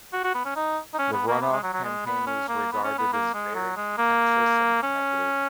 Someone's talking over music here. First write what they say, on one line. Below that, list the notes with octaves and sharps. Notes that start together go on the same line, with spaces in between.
The runoff campaign was regarded as very contentious and negative.
F#4
F#4
B3
C#4
D#4
D#4
C#4
B3
A#3
B3
G#3
F#3
F#3
G#3
B3
C#4
A#3
B3
C#4
B3
A#3
G#3
F#3
G#3
A#3
C#4